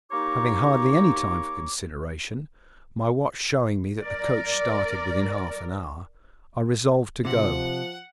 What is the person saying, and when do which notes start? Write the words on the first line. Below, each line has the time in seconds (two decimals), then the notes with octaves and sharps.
Having hardly any time for consideration,--my watch showing me that the coach started within half an hour,--I resolved to go.
0.11 A#3 D#4 G4 C#5 A#5 D6
4.02 A#4 D5
7.25 C3 F3 F#5